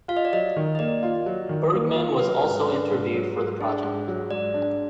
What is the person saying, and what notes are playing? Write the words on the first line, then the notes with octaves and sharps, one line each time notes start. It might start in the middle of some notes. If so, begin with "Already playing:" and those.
Bergman was also interviewed for the project.
F4 F5
D#5
D5
F#3 D#5
D#3
D#5
A#3 D5
F4
F#3
D#3
A#3
F4
F#3 B4
G#2
D4
G#2
F#3
G#2
D4 G#4
G#2
F#3
G#2 D5
D4